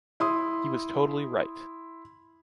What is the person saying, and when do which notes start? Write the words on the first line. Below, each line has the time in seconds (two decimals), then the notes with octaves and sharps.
He was totally right.
0.20 E4 C6 D#6